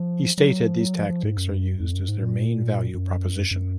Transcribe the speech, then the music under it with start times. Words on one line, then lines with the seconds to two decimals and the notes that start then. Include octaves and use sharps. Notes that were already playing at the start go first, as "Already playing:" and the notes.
He stated these tactics were used as their main value proposition.
Already playing: F3
0.38 F#3
0.66 F3
0.80 F#3
0.95 F3
1.09 F3
1.23 G#2
1.37 F#2
1.80 F2
1.94 F#2
2.08 G#2
2.23 A#2
2.94 F#2
3.51 F#2